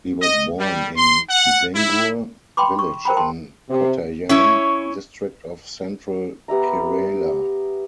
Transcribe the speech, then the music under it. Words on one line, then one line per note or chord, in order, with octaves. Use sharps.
He was born in Kidangur village in Kottayam district of central Kerala.
D#5
G3
C6
F#5
E4
G5 B5 C6 D6
C#6
A#4 C5 G5 A#5 B5
G5 A5 C6
C3
C#4 E4 C#5
B3 G4 E5 A#5